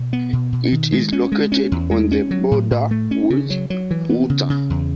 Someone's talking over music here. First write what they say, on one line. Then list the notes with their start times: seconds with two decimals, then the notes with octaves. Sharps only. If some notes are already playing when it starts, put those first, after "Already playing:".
It is located on the border with Utah.
Already playing: B2
0.13 B3
0.33 B2
0.53 B2
0.72 D#3
0.92 G#3
1.13 C#4
1.32 G#3
1.52 C#4
1.72 E2
1.91 G#3
2.12 C#4
2.31 F#3
2.51 A2
2.71 A2
2.91 A3
3.11 C#4
3.30 C#3
3.50 F#3
3.70 F#3
3.91 E3
4.10 B3
4.30 C#3
4.50 C#3
4.70 E2